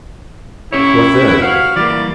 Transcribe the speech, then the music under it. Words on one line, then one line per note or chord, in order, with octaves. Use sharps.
"What then?"
C#4 E4 G4 C#5
F#4 F5
E3 G3 A#3 D5